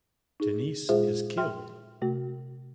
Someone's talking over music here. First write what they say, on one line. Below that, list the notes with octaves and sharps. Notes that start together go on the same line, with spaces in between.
Denise is killed.
D#4 G#4
A#2 G#3 F4 G#4 C5 E5
E5 G5 C6 F6
C3 A3 F#4